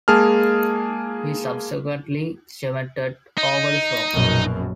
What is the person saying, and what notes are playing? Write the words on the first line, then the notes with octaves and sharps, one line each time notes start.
He subsequently cemented over the floor.
G#3 A#3 G#4 A5 F6
D#4
A#1 F#2 B2